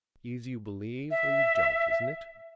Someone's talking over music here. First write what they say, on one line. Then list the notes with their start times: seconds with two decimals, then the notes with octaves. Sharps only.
Either you believe or you don't, isn't it?
1.11 E5